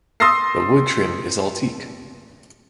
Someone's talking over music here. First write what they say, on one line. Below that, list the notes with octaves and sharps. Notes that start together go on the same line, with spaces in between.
The wood trim is all teak.
C6 D#6 E6 A6 A#6 C7